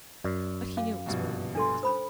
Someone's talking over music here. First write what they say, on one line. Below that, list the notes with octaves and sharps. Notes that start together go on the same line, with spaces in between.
But he knew it was more than that.
F#2 D5
C#4 F5 D6
A#1 G2 B2
D4 A4 G#5 C6
C#4 C5 B5 D#6